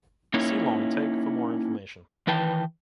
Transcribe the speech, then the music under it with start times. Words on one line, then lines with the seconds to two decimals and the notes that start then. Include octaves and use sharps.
See Long take for more information.
0.34 A#3 C#4 D#4 E4 C#5
2.27 D#3 E3 B4 G5 A5